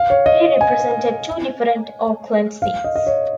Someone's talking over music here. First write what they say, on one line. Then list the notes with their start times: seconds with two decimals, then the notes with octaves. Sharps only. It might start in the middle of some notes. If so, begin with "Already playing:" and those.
He represented two different Auckland seats.
Already playing: F5
0.10 C#5
0.26 D#5
0.61 G#5
2.62 F5
2.84 D#5
2.96 D#5
3.07 C#5